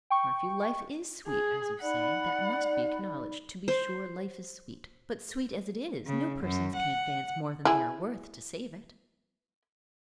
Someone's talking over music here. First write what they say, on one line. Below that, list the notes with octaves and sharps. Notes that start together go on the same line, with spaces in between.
Murphy, life is sweet, as you say, that must be acknowledged; to be sure, life is sweet; but, sweet as it is, no persons can advance more than they are worth to save it.
G5 C#6
G#4
D#4 D5 F#5 B5
C5
C#3
F#2
F#5
E4 G#4